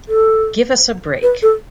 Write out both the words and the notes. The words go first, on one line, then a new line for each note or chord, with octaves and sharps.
Give us a break.
A4
B4
A4